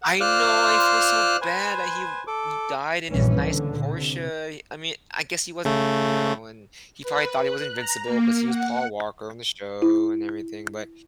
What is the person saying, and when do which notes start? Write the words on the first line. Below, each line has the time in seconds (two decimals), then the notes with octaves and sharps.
I know, I feel so bad that he v He died in his nice Porsche, he I mean, I guess he wasn't you know, and he probably thought he was invincible 'cause he was Paul Walker on the show and everything, but
0.02 F#5
0.20 F4 C5 D5 F6 F#6
1.41 B4 C5 G#5
2.27 A4 D6
3.10 A#1 G2 D3 E3 G3 C#4
3.40 C#2 A#2 D3
3.96 C3
5.65 C#3 A3
7.02 B4
7.44 F#6
7.73 A#5
8.04 A#3
8.46 F#5
9.82 E4